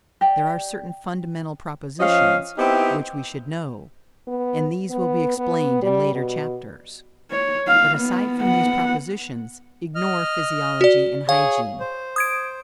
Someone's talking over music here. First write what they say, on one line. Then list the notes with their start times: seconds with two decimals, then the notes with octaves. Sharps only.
There are certain fundamental propositions which we should know; and these will be explained in later chapters, but aside from these propositions, ignore physiology and hygiene.
0.21 G4 D5 G5
2.00 F3 C#4 D#5 F5
2.58 B3 C4 D#4 E4 G4
4.27 B3
4.91 B3
5.38 B3
5.83 G3
6.14 B2
7.31 C#5
7.67 F5
7.98 B3
8.42 B3 F#5
9.95 D#5 F6
10.81 F#4 D5
11.29 G#4 C#5 F5
11.80 C5
12.16 D#6 G#6 D7